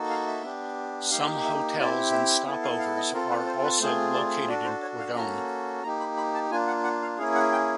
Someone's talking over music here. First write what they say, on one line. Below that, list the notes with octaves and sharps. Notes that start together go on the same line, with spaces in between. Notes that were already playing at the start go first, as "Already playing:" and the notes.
Some hotels and "stop overs" are also located in Cordon.
Already playing: A#3 D#4 F#4 A4
F5
E5
B3 D4 G4
A#3 D#4 G4 F5
E5
C4 E4 G4 D5
E5
B3 E4 A4 E5
F5
F5
D#5
C4 F4 A4 A#4
B4
C5
B4
A3 C4 F4 G#4 C5
D5
D4 F#4 A4 D5
C5
C#5
F5
A#3 C#4 F#4 A4 A#5
A#3 D#4 G4 A#5
B5
B5
A5
A#3 D4 F4 G#5
F#5
F#5
F5
A#3 C#4 E4 G#4 F5
F#5
G5